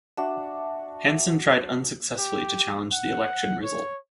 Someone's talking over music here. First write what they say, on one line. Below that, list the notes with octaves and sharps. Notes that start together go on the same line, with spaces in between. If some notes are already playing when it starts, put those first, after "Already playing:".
Hansen tried unsuccessfully to challenge the election result.
D4 F#4 E5
G4
F#5
C#5